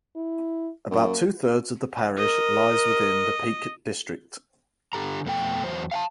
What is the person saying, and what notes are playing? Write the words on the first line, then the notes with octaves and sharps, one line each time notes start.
About two thirds of the parish lies within the Peak District.
E4
F#2 A#3
A#4 D#5
D3 G4 A4 A#5
F2 B2 A3 E4 G5
E2 F#3 C5
F5 G5 A5